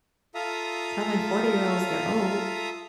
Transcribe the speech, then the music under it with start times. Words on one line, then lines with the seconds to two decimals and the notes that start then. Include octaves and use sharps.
telling forty-year-olds they're old.
0.35 F4 A4 E5 F5 A#5 D#6